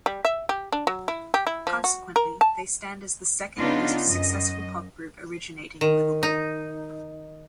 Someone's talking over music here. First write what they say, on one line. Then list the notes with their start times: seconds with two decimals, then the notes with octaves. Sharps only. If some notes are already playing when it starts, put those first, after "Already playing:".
Consequently, they stand as the second most successful pop group originating in Liverpool.
0.06 G3
0.25 E5
0.49 G4
0.72 D4
0.87 F#3
1.08 E4
1.34 G4
1.47 E4
1.67 F3
1.84 F#4
2.16 A#4
2.41 A5
3.58 C#3 B3 D4 D#4 F4
4.07 F#2 D#5
5.81 D#3
6.23 D#4